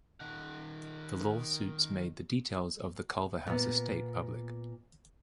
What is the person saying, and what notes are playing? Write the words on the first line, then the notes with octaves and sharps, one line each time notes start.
The lawsuits made the details of the Culverhouse estate public.
D#3 F#5
A#2 B3